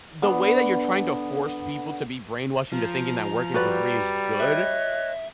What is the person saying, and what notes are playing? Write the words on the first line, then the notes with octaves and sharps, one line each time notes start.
the way that you're trying to force people to be brainwashed into thinking that working for free is good,
D3 B3 D5
F3 A#5
G3 F#4 B4 D5
C#5 D#5 E5 F#6